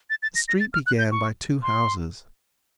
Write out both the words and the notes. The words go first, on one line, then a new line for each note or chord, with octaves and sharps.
The street began by two houses.
A6
A6
A#6
A#6
A6
F6
F#6
G6
C#6
C6